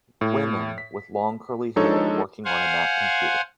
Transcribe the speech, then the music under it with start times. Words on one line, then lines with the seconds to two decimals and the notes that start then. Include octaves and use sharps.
Women with long curly hair working on a mac computer.
0.21 A2
0.78 B6
1.76 F3 G#3 D4 D#4 A4 C#5
2.45 C5 F5 F#5 G#5